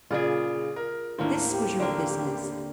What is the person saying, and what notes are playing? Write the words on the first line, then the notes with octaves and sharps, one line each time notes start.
This was your business!
A#2 C#3 F4 G#4 D5
A#4
D#2 A2 A#3 C4 D4
G4
D3 A#3